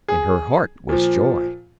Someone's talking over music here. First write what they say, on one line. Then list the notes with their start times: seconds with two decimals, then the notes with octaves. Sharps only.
In her heart was joy.
0.08 G#4
0.89 A#2 F3